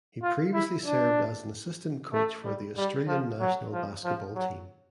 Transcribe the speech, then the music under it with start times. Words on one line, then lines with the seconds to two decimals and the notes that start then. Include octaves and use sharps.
He previously served as an assistant coach for the Australian national basketball team.
0.23 F4
0.53 E4
0.85 D4
2.13 A3
2.44 G3
2.77 G3
3.08 F3
3.40 F#3
3.72 F3
4.04 F3
4.35 F#3